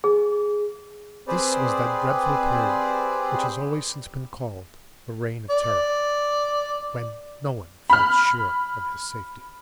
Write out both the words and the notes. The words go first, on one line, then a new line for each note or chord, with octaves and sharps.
This was that dreadful period which has always since been called "The Reign of Terror," when no one felt sure of his safety.
G#4
C4 G4 G#4 B4 C5 D5
D5
B5 F6